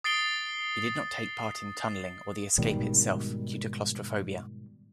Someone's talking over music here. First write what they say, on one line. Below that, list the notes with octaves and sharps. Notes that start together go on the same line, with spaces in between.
He did not take part in tunnelling or the escape itself, due to claustrophobia.
D#6 A6 C7 D7 G7
G#2 B2 D#3 G3